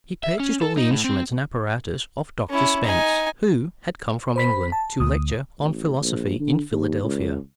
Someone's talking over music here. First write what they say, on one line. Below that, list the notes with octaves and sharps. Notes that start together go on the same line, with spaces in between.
He purchased all the instruments and apparatus of Dr. Spence, who had come from England to lecture on philosophy in Philadelphia.
E5
C#4
A4
D#4
A2
C4
C#4 E4
D#4 G#5
C5 B5 B6
A5
D2 D#6
A1
A#1
D3
D#2
C#2